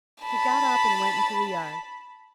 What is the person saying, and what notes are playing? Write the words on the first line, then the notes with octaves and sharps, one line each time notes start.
He got up and went into the yard.
A5 B5